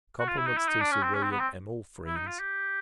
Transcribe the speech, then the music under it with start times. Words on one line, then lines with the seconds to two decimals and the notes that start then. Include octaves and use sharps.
Compliments to Sir William, and all friends.
0.20 F#4
0.28 F4
0.37 E4
0.47 D#4
0.57 E4
0.69 D#4
0.80 D4
0.92 C#4
1.03 C4
1.15 C#4
1.23 C4
1.31 B3
1.40 C4
2.07 E4
2.17 D#4
2.27 F4
2.40 G4